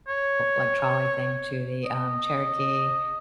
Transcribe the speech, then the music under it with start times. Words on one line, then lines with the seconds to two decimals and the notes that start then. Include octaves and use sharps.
like, trolley thing to the, um, Cherokee,
0.08 C#5
1.85 D#5